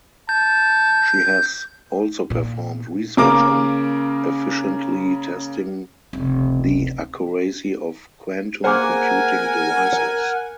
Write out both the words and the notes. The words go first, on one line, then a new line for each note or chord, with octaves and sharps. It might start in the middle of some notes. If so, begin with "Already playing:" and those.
She has also performed research on efficiently testing the accuracy of quantum computing devices.
A5 G6
A#2
C#3 A#3 A#4 D6
F1 C#2
A#3 G#4 A#4 C5 F#5 G#5